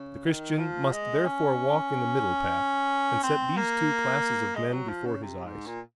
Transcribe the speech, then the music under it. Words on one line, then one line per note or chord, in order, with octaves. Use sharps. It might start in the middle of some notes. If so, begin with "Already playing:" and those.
The Christian must therefore walk in the middle path, and set these two classes of men before his eyes.
Already playing: C#3
D#3
F3
G#3
C#4
C4
A#3
G#3
F#3
F3
C#3
C3
G#2
A#2